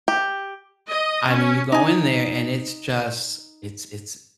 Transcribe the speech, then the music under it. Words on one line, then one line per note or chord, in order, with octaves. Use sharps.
I mean, you go in there and it's just it's it's,
G4
D#5
C#4
D#4 G#5